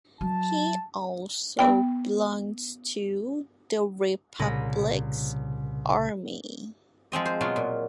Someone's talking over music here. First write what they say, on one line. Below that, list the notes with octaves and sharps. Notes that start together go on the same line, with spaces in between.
He also belongs to the Republics army.
F#3 A5
B3 G5
C2 A#2 C#3 G#4 B5 A#6
F3 G#3 C4 D#5
C5
B2 F#3 G#3 F4
A#2